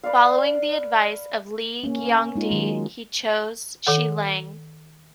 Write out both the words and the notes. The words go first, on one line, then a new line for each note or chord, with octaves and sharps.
Following the advice of Li Guangdi, he chose Shi Lang.
B4 D5 F5
A#3 C#4
G#3 D#4 F4
D#3 F#3 G#3
D#3 A4 F#5